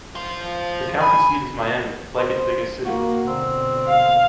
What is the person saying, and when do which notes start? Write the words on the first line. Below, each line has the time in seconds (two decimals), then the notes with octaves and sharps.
The county seat is Miami, like its biggest city.
0.15 F4 C5
1.01 G#5 B5
2.18 C5
2.85 A#3 F#4
3.28 B2 D3 C4
3.88 F5